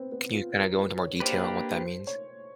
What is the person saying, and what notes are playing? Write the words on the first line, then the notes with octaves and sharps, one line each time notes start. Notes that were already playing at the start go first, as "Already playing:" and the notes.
Can you kinda go into more detail on what that means?
Already playing: B3 C4
B3
F4
A#4
B4
C#5
A#3 D4 G4 B4 C5
C5
C#5